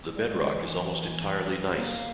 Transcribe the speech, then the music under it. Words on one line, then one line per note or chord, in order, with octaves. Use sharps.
The bedrock is almost entirely gneiss.
G3
G#3
E3
A#3